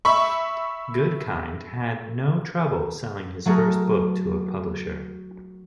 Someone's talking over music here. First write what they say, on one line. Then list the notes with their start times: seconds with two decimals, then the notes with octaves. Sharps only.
Goodkind had no trouble selling his first book to a publisher.
0.05 E5 B5 C#6
3.46 F#3 A3 F#4 G#4 A#4